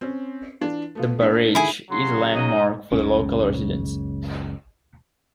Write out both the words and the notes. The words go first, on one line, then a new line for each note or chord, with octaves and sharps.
The barrage is a landmark for the local residents.
C4 C#4
E3 D4 F4
A3 B3 F4
A#3 D4 B6
D3 D#3 E4 G#4 G#5
C#3 F#3 C6
D#4 D#5
F#1 C#2 C#3 C#4